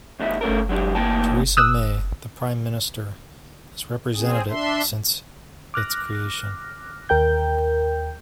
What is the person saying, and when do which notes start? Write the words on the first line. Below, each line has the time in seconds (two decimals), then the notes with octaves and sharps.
Theresa May, the Prime Minister, has represented it since its creation.
0.19 D#2 G#3 A4 E5
0.41 A3 C#4 A4 A#4
0.69 F#3 G#3 D4 G4
0.95 D2 E3 A#3 G5 A5
1.57 D#6 E6 F#6
4.16 C4 G#4
4.49 D4 E5 C6
5.74 D6 F6 F#6 A#6
7.09 D#2 A#4 G5 G6